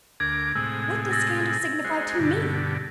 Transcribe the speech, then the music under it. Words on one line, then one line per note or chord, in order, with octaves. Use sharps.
What does scandal signify to me?
D2 A#4 D6 G#6
A2 C3 G#3 E6
E6 A6 A#6
G#3 F#4 C5
G2 B2 D3